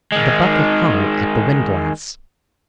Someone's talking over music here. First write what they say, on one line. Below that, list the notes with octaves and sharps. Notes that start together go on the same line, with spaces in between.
The bucket hung at the windlass.
D#3 G#3